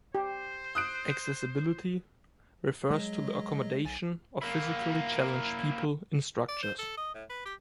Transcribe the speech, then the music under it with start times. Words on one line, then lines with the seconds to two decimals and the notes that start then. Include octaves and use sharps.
"Accessibility" refers to the accommodation of physically challenged people in structures.
0.15 G4 C5
0.75 D#6 F#6 D7
2.90 F#3 G#3 D#5
3.85 B1 G#5 A6
4.42 A#3 E4
6.49 D5
6.63 C5
6.79 A4
6.97 D#5
7.14 A2
7.30 B4
7.45 G4